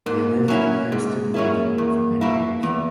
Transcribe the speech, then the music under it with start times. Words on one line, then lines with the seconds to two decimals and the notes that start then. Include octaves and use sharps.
They lived in Hampstead, London for many years.
0.06 G#2 A#3
0.48 F#3 C#4 E4
0.92 G#2 G#3
1.34 F#3 A#3 C#4 E4
1.77 E2 A#3
2.21 B2 A#3 E4
2.63 E2 B3